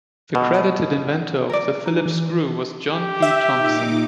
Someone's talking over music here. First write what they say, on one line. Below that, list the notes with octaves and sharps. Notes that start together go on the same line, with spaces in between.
The credited inventor of the Phillips screw was John P. Thompson.
B2
A#4 D5
D#4
E3
G4
E5
A#2 D#4 D6